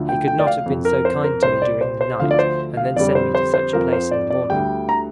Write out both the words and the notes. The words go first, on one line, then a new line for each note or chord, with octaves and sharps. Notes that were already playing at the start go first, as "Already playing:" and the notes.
He could not have been so kind to me during the night, and then send me to such a place in the morning.
Already playing: D2 D3 F3
G5
G5
D5
F5
F2 F3
A#4
C5
A#4
C2 C3 G3 C5
D5
C5
C5
D2 D3 F3 F5
D5
C5
F5
F2 D3 G3 D5
C5
C5
C5
F2 F3 A#4
C5
D5
D5
D2 D3 G3 G5
A#5